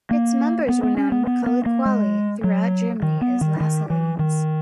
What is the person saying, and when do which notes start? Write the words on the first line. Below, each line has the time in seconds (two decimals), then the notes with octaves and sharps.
Its members were known colloquially throughout Germany as "Lassalleans".
0.11 A#3
0.69 B3
0.83 B3
0.97 C#4
1.12 B3
1.27 B3
1.46 B3
1.66 A#3
1.85 G#3
2.44 F#3
3.02 D#3
3.21 B3
3.41 D#3
3.60 D#3
3.90 E3
4.19 D#3